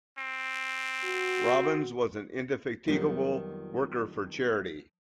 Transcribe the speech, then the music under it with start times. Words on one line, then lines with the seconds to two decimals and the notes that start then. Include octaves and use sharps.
Robbins was an indefatigable worker for charity.
0.18 C4
1.05 F#4
2.88 F2 D#3 F#3 G3 B3